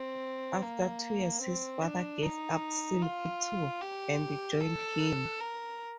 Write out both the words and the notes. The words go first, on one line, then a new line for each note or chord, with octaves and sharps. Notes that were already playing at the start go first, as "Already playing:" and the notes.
After two years, his father gave up silk, too, and joined him.
Already playing: C4
A#3
C4
D4
D#4
F4
G4
A4
A#4